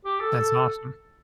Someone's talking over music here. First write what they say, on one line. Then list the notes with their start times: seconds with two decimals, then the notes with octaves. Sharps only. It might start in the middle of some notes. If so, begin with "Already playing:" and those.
That's awesome.
0.05 G4
0.20 A4
0.37 A4